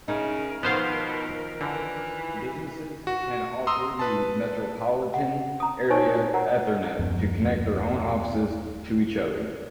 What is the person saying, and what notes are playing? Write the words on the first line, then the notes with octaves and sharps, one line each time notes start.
Businesses can also use metropolitan-area Ethernet to connect their own offices to each other.
C#3 D#4 A#4
B2 D#3 F3 B3 C5 F5
D3 E3
F#4
A#5 C6 D#6 E6
B4 A5
F#5
A#5 D#6
D#4 C5 C#5 G#5 C#6 E6
A#4 F#5 A#5
D#1 F#2 F3 B3